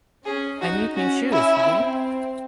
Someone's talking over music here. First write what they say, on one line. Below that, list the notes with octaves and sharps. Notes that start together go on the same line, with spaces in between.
I need new shoes, mommy!
C#4 G#4
D#4 F#4
C#4 F#4
E4
C4